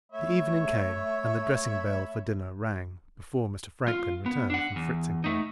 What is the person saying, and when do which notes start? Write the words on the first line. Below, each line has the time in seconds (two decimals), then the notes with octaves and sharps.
The evening came, and the dressing-bell for dinner rang, before Mr. Franklin returned from Frizinghall.
0.12 A3 C#5 E5 B5
3.88 F4
4.26 B3
4.50 D4 F#5
4.76 E2
5.24 A3 D#4